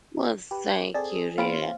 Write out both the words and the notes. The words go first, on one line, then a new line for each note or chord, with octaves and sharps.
Well, thank you, dear.
G4 B4
C4 G#4 A4 D5
A#3 C4 C#4 F4 B5 D7